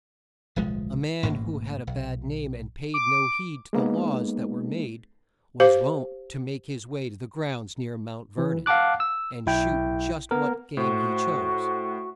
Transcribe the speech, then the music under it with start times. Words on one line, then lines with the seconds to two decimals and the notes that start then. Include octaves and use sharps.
A man who had a bad name and paid no heed to the laws that were made, was wont to make his way to the grounds near Mount Ver-non and shoot just what game he chose.
0.56 D1 B1 F3 G#3
1.23 A1 G#2 E3 A#3
1.87 B1
2.94 D6
3.73 G#3 A#3 B3 D#4
5.60 G4 C5 F5
8.38 E3
8.66 F5 F#5 A5 D6 F#6
9.00 E6
9.46 B1 E4 G5
10.31 B3 A#4
10.77 A2 F#4 C5